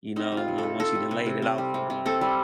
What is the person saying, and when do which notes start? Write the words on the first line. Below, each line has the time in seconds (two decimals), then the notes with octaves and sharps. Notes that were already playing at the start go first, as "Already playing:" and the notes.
you know, uh, once you done laid it out for 'em.
0.16 C4 D#4
0.32 G3
0.37 F4
0.48 C3
0.58 C3 A4
0.79 C4 A4
0.95 G3
1.11 C3
1.26 C3
1.42 C4
1.58 G3
1.74 C3
1.90 C3
2.06 C4 A4
2.21 G3